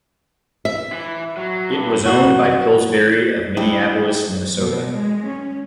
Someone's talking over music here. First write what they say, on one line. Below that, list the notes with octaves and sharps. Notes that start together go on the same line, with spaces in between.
It was owned by Pillsbury of Minneapolis, Minnesota.
E5
E3
F#3
G2
F#4
G3 G#3 D4 E4 G4
B2
G#3
C#4